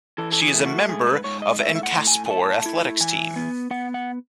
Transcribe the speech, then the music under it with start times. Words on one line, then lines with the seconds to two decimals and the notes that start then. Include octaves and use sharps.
She is a member of Enkaspor athletics team.
0.18 E3 A4
0.32 A4
0.42 G#4
0.54 A3
0.66 F#4
0.89 G#2 G#4
1.07 B4
1.24 G#2 C#5
1.42 D#5
1.60 A2 E5
1.75 E5
1.83 F#5
1.95 A2
2.07 G#5
2.26 G#5
2.30 A3 A5
2.66 E4
3.00 E3 G#5
3.36 B3
3.71 B3 F#5
3.94 F#5